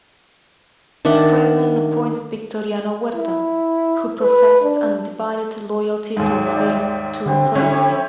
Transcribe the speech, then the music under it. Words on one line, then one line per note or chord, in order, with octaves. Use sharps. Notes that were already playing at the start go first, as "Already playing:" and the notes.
The president appointed Victoriano Huerta, who professed undivided loyalty to Madero to replace him.
D#3 D4 E5 F#5
E4
B4
D4
D#2 G#2 G#4
G4 D5 E5
D3 B3 C4
D3 C4 C#4 E4 G4